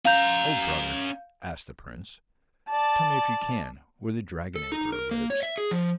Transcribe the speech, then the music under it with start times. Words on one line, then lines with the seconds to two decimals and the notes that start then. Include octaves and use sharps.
'Oh, brother!' asked the prince, 'tell me, if you can, where the dragon-emperor lives?'
0.05 C#4 F5 A#5 G6
2.69 D5 A5
4.56 A4
4.72 D#4
4.93 A#4
5.11 A#3
5.30 C#5
5.43 E5
5.58 G#4
5.71 F3